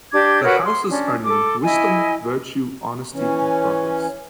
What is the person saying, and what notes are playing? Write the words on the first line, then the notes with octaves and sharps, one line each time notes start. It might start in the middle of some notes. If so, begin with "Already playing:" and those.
The houses are named Wisdom, Virtue, Honesty and Progress.
D4 G4 D6 G#6
F#4 A#4 B4 C#5
C6
C#4 D4
A4 D6
E4 D#5 G#5
E3 C#4